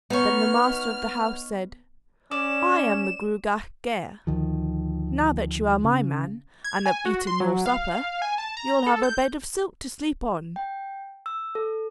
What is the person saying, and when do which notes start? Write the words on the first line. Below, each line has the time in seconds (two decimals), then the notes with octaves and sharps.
Then the master of the house said: "I am the Gruagach Gaire; now that you are my man and have eaten your supper, you'll have a bed of silk to sleep on."
0.10 B3 D#4 C#5 F6
2.31 C#4 D5 E7
4.27 D2 D#3 F3
5.84 C#3
6.64 G#6
6.86 G#5
7.05 F#4
7.27 C6
7.40 F#3
7.66 F5
8.22 G#5
8.38 A5
8.57 A#5
8.87 A4
9.03 G6
10.56 G5
11.26 E6
11.55 A4